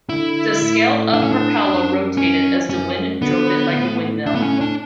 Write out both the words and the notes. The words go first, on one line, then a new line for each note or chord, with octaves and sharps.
The scaled-up propeller rotated as the wind drove it like a windmill.
D3 E4
A2
D4
C#4
D4
F#2
C#4
F#2 C#4
D3 B3
A2
A2 D4
B3
C#4
D4